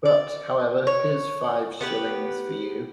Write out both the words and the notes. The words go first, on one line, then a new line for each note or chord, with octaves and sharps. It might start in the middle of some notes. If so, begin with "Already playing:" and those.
But, however, here's five shillings for you.
D5
C#5
B3 G4 B4